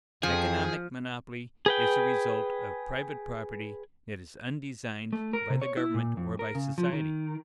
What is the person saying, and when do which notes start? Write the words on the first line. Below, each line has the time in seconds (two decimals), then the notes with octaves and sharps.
Economic monopoly is a result of private property that is undesigned by the government or by society.
0.23 F2 F3 G#4
1.66 G#4 B4 G5
5.13 A3
5.33 A#4
5.50 C3
5.62 C#5
5.77 E4
5.94 A#2
6.17 F2
6.39 A#4
6.55 C#3
6.78 F3
6.92 D#3